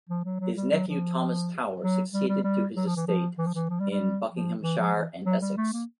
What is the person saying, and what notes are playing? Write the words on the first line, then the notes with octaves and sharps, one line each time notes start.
His nephew Thomas Tower succeeded to his estates in Buckinghamshire and Essex.
F3
F#3
F#3
G3
F#3
F3
F#3
G3
G3
G3
F#3
F3
E3
F3
E3
F3
E3
F3
G3
G3
F3
E3
F3
E3
F#3
G3
A3
A#3